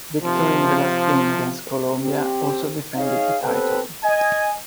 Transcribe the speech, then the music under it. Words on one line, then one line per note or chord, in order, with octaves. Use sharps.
Victory in the last game against Colombia also defended the title.
C3 F3
C4 G4
D#4 G#4 C#5 F5
B3 C4 G4 A4 B4 C5
D#5 G#5